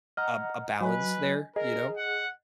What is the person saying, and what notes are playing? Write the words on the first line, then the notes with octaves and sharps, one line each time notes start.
a a balance there, you know.
D#5 F#5 A#5 F6
F#3 B4 D#5 G#5
G#4 A#4 D#5
F#5